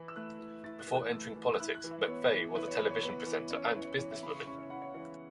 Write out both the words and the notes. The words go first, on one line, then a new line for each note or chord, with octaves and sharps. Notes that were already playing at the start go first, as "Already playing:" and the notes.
Before entering politics, McVey was a television presenter and businesswoman.
Already playing: E3 E4
E6
A3 F#6
E3
E4 A6
F#6
E3
F#6
A3 E6
E3
E6
E4 F#6
F#6
E3
E5
B3 C#5
E3
E4 B4
C#5
E3 B4
C#5
B3 B4
E3
C#4 C#5
B4
E4
C#5
E3 C#5
E5
C#3 B5
C#6
C#4 C#6
C#5
E4 F#5
C#5
E3 C#5